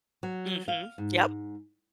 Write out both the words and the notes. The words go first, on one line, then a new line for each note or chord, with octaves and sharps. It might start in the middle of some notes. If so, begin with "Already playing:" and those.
Mhm, yep.
F#3
F5
G#2